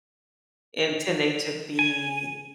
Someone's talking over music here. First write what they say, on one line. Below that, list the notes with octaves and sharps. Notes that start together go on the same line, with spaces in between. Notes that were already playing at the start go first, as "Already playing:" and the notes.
intending to be
G#5